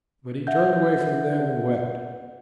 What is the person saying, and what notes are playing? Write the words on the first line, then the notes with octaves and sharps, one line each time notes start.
But he turned away from them and wept.
E5 F#5 G6